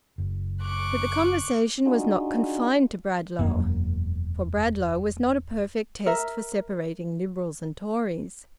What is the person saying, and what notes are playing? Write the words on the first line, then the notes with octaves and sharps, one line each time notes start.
But the conversation was not confined to Bradlaugh, for Bradlaugh was not a perfect test for separating Liberals and Tories.
F#1
C#6 D6 F#6
D4 D#4 F4 F#4 G#4
E1 F#2 A#3
A#4 E5